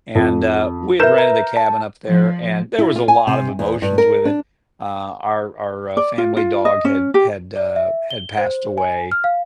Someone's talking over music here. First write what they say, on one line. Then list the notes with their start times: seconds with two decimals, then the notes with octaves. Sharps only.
And, uh, we had rented a cabin up there, and there was a lot of emotions with it, uh, our our, uh, family dog had had, uh, had passed away,
0.15 F2
1.00 A#4 B4 E5 G6 E7
1.18 A#5
1.57 A5
2.07 F3
2.78 E4
2.96 F4
3.08 G#5
3.27 C3
3.59 E2
3.82 G2
3.98 A#4
4.25 D4
5.97 D5
6.18 F4
6.37 F4
6.65 D#5
6.85 C#4
7.14 G4
7.56 D5
7.76 E5
8.11 G7
8.38 C5
8.78 G#5
9.12 F6
9.24 F5